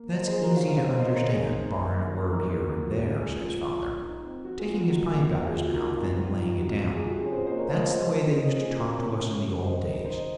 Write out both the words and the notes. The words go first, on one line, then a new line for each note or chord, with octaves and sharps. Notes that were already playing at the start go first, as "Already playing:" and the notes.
'That's easy to understand, barrin' a word here and there,' says father, taking his pipe out of his mouth and laying it down; 'that's the way they used to talk to us in the old days.
Already playing: A#3
F3 C5 D#5
G#4 C5
F3
F#4 A#4
D#4 C#5 F5
C#5 F5
C4 C#5 F5
C5 D#5
D#3 C5 D#5
A#4 C#5
D#3
G#4 C5
D#4
A#3
D#3
D#3
D#4 F#4 A#4
F#4 A#4
A#3
F#4
A#2
F#4
C#4
F#4
G#3 F4 G#4
F3 F4
F3
F3
D#4
C4
F3 F#4
F4 G#4
F3
F4
D#4 F#4
A#3
F3 F#4
F4 G#4
F3
F#4
D#4 F#4 A#4
C4
C3 F4
D#4
C4 F#4
F#4
F3 F#4
F4 G#4
C3 F#4
F4 G#4
C#4
G#4 C5
A#3 C5 D#5
A#4 C#5
F3 C5 D#5
C#5 F5
F3 C5 D#5
F3
C#4 C5 D#5
A#3 F4 G#4
C#3 F#4 A#4
C#3 A#4 C#5
C#4
F#3
D#3 C5 D#5
D#3
D#4 C5 D#5